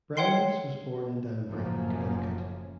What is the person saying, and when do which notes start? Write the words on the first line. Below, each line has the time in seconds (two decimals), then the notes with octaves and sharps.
Brandis was born in Danbury, Connecticut.
0.17 C#5 F#5 G5 C6 C7
1.51 F#1 F#2 A2 F3 A#3 C#4